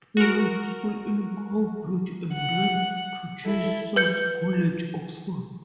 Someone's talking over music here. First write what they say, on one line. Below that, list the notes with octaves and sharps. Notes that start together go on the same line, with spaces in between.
He went to school in Cowbridge and then to Jesus College, Oxford.
F#4 A#4
F#5
E4 A4
B4 G6 C#7